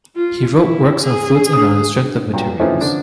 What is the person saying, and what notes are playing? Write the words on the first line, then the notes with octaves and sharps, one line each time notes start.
He wrote works on fluids and on the strength of materials.
F4
E4
G#4
D4 D#6
G2 A#2 F#3
E3 F3 A3 C4 C#4 D#4
D3 F3 D4